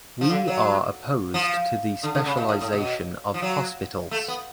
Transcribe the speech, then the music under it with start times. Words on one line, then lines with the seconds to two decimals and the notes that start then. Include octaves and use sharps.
We are opposed to the specialization of hospitals.
0.21 F3
0.30 D3
0.48 F#3
1.34 F3
2.03 D3
2.15 D3
2.26 C#3
2.37 B2
2.49 A2
2.61 A2
2.72 B2
3.34 F3
3.42 F#3
4.11 A3
4.28 B3